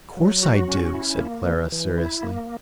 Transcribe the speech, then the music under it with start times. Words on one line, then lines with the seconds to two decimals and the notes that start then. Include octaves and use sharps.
"Of course I do," said Clara seriously.
0.17 F#3
0.43 F#4
0.68 C#4
0.94 E4
1.20 A#3
1.46 E3
1.72 E3
1.98 E4
2.23 A#3